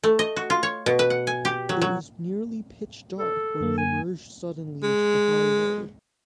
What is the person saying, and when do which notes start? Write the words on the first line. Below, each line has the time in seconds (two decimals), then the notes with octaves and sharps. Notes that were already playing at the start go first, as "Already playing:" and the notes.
It was nearly pitch-dark when we emerged suddenly into the highroad.
0.04 A3
0.19 D#5
0.36 F#4
0.50 F4
0.63 C#5
0.86 B2
0.99 B4
1.10 F#5
1.27 G#5
1.45 G4
1.69 F#3
1.81 F#3
3.19 A4
3.61 F#2 A#3
3.78 G#5
4.83 G#3